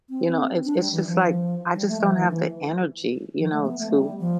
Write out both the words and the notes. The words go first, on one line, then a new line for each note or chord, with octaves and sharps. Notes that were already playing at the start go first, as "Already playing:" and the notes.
you know, it's it's just, like, I just don't have the energy, you know, to
C4
D4
G3
E3
F3
G3
A3
F3
E3
E3
F3
A3
B3
A3
G3
F3